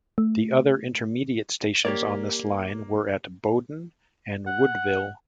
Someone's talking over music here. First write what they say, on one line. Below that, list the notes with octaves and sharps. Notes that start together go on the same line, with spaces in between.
The other intermediate stations on this line were at Bowden and Woodville.
A3
A#3 G4 C#5 D5
F#5